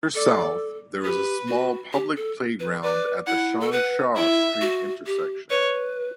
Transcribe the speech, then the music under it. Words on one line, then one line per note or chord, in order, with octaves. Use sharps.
Further south, there is a small public playground at the Changsha Street intersection.
A4 D5
G4 B4
F#4
G4
A4
B4
B4 D5
E4 F#5
A4
B4 F#5
E4 E5
F#4
G4
B4 C#5